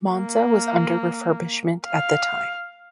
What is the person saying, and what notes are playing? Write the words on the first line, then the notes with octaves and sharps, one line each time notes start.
Monza was under refurbishment at the time.
A#3
F5